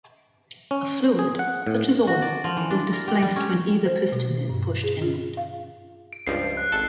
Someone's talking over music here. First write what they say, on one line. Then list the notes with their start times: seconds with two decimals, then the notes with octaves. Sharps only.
A fluid, such as oil, is displaced when either piston is pushed inward.
0.71 C#4
1.19 G#4
1.39 F#5
1.67 A2
2.07 F#4
2.22 D5
2.44 F3
2.57 E3
2.70 D4
2.93 A#4
3.08 G4
3.22 G3
3.36 C#4
3.86 C5
4.12 B2
4.49 G2
4.84 G#4
5.02 F4
5.37 F5
6.13 D7
6.27 C#2 G2 F3 C7
6.57 F#6
6.72 G#1 A4 C7